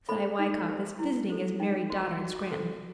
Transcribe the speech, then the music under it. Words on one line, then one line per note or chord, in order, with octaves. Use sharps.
Cy Wykoff is visiting his married daughter in Scranton.
A4 C5 B5
D#4
G4 C5
E4
A4 C5
D#4 G5
F#4 C5
F#4
A4 C5